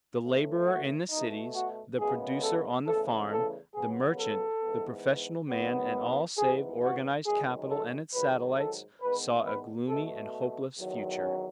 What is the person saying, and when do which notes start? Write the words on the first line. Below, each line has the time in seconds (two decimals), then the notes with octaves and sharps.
The laborer in the cities, the producer on the farm, the merchant, the professional man and all save organized capital and its satellites, saw a gloomy and hopeless future.
0.23 A2 E3 A3
0.67 F#4
1.11 B2 A3 D#4
1.55 F#4
1.99 F#2 C#3 G#3 B3 G#4
2.43 A4
2.87 E2 C#3 E3 A3 A4
3.31 A4
3.74 C#3 F#3 B3 G#4
4.19 A4
4.63 G#2 E3 B3
5.50 G#2 D#3 F#3 B3
6.38 G#2 E3 B3 G#4
6.83 F#4
7.26 F#2 D#3 G#3 G#4
7.70 A4
8.13 G#2 D#3 F#3 B4
8.58 A4
9.01 E2 D#3 G#3 B3 B4
9.45 B4
9.89 B2 A3 A4
10.77 E2 D#3 F#3
11.20 C#4